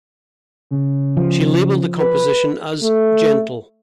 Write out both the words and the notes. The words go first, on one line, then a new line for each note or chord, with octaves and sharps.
She labelled the composition as "gentle".
C#3
F3
B4
A3